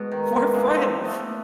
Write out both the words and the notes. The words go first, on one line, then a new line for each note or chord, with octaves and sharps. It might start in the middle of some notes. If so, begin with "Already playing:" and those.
We're friends.
Already playing: G#2 B2
D#3
E3
G#3 A#3
A#3 C4
A3 B3